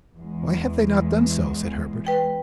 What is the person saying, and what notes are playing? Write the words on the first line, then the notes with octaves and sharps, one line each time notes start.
"Why have they not done so?" said Herbert.
E2 G#3
B4 G5